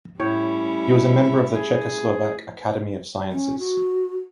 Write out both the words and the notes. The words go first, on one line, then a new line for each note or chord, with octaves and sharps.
He was a member of the Czechoslovak Academy of Sciences.
A2 G3 C#4 E4 C#5
G#4
C#4
F#4